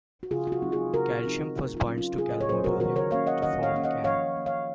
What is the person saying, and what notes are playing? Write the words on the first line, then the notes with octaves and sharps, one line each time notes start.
Calcium first binds to calmodulin to form CaM.
F#4
C#3 F4 G#4
F4
F#4
F#3 C4 D#4
F4 G#4
C#3 F#4 A#4
F#3 C4 D#4
C#3
F4
F#3 C#4
F4
C#3 F4 G#4
D#5
C#5
F#3 C#4 G#4 C5
F#4 A#4
D#3 F#4 A#4
A#4 C#5
A#3 C#4 C#5 F5
D#5 F#5
D#3 D#5 F#5
C#5 F5
A#3 C#4 F5
D#5 F#5
F3 C#5 F5
A#3 C#4
C#5 F5